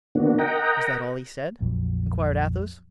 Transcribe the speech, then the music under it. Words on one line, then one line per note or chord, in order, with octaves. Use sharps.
"Was that all he said?" inquired Athos.
D3 D#3 A#3 B3 D4 F#4
A#4 D#5 F#5 G5 A#5
A#1 F2 F#3